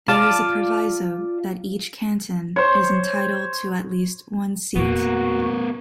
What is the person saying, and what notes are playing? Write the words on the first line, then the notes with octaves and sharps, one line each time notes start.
There is a proviso that each canton is entitled to at least one seat.
F4 D5 A5
C5 C#5
E2 A#2 B3 F#4 A#4